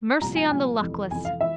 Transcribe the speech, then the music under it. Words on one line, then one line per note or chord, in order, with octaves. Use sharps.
Mercy on the luckless!
C2 A#2 F3 A#5
G#5
C2 A#2 F3 G#5
F2 C3 E3
F2 C3 E3 G#5
F5
E3 E5